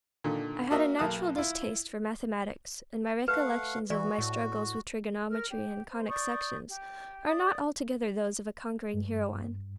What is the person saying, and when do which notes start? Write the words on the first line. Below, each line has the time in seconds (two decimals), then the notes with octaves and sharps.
I had a natural distaste for mathematics, and my recollections of my struggles with trigonometry and conic sections are not altogether those of a conquering heroine.
0.24 A#2 D3 D#3
0.70 A#3 F#4 A#4 D#5 E5
0.99 B1 A#3 A#4 A5 D#6 F#6
1.36 E4 F4
3.28 A3 B4 F5 F#5
3.90 E3 F#4 D5
4.18 A2
5.29 A#4 F6
5.49 G4
5.89 C5
6.08 D5 C#6 D#6 G6
6.70 G4
7.27 D5 D#6
8.94 G2